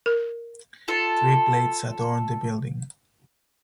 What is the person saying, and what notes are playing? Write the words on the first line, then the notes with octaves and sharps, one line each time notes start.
Three plates adorn the building.
A#4
F4 A4